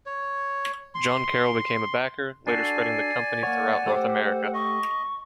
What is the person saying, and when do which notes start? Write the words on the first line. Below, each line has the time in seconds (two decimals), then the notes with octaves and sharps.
John Carrol became a backer, later spreading the company throughout North America.
0.06 C#5
0.95 C6
2.47 D4 F#4 A4 D5 G#5 C7
3.43 A#3 C#5 F#5
3.86 A3 G4 C5 D6
4.54 D#5 C#6